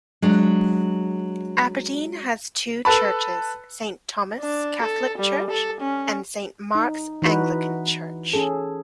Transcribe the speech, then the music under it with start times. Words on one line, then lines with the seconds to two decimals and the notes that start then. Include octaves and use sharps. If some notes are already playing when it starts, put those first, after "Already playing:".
Aberdeen has two churches - Saint Thomas Catholic Church, and Saint Marks Anglican Church.
0.22 F#3 G#3 D4
2.85 A4 B4 A5 B5
4.40 D4
4.82 A4
5.18 G3
5.50 A4
5.80 C#4
6.75 D#4
7.22 E3 D#4 F#4 B4
8.33 C#4 G#4 A4